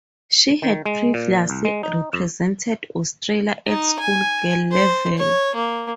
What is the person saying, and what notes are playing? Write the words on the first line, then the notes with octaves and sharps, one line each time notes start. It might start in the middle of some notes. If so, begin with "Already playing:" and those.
She had previously represented Australia at schoolgirl level.
D#3
G#3
A#2
C2
G#3
D#4
F2
D#4
G#5
C5
C#5
A#3